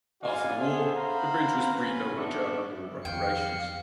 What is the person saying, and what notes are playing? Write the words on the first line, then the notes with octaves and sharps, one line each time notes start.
After the war, the bridge was rebuilt with German war reparations.
F#4 D5 F5 G#5
B3 G#4 A4 C5 E5
C5 F5 F#5 A#5 B5
C#4 B4
B3 D4 E5 C#6 D6
F2 D#3 F5 G5 C7 C#7